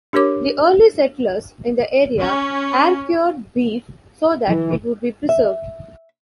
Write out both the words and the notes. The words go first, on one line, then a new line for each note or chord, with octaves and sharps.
The early settlers in the area air-cured beef so that it would be preserved.
D4 G4 A#4 C#5 D6
C#4
E3
E5